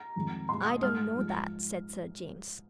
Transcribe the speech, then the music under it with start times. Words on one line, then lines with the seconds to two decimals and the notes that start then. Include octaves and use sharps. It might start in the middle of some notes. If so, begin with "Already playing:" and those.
"I don't know that," said Sir James.
Already playing: A#5
0.16 F2 D#3 G#3
0.49 A#2 G#3 C6
0.66 D#6
0.83 G#2 G#3 F6
1.16 G#2 F3 G#3